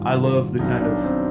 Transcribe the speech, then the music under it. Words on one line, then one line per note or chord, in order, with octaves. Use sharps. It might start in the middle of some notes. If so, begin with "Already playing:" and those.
I love the kind of
Already playing: G#1 G2 D#3 F4
B1 B2 D#4
D4
C4